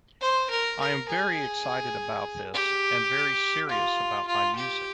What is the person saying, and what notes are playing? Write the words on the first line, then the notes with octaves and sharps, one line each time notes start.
I am very excited about this and very serious about my music.
C5
A#4
A#4
G#4
G4
F4
F4
G4